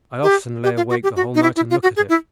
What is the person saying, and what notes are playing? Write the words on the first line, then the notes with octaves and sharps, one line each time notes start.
I often lay awake the whole night and look at it.
G4
G4
F4
F#4
G4
F#4
D#4
E4
E4
F4
F#4
G#4
E4